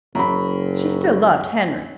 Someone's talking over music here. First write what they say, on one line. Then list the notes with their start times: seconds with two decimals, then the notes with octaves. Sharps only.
She still loved Henry.
0.15 F#1 F#2 A#5 B5